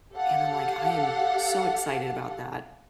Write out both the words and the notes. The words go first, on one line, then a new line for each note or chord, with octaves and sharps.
and I'm like, "I am so excited about that."
G4 A4 F5 F#5